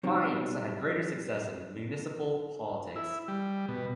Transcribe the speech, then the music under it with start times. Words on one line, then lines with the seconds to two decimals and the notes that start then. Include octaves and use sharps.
Fines had greater success in municipal politics.
0.03 F#3 G3 C4 D#4
2.96 E4
3.28 G3
3.68 B2